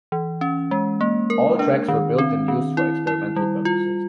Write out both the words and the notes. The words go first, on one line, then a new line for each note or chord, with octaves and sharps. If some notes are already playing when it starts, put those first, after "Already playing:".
All tracks were built and used for experimental purposes.
E3
C#4
G#3
A#3
A#4
D4
D#3
C4
D#3
E4
E4
G3
F4